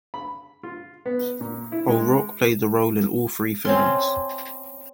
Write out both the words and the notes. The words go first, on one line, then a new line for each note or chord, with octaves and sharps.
O'Rourke played the role in all three films.
B5
F4
B3
A#2
E4
G#3
C4 C#4 C6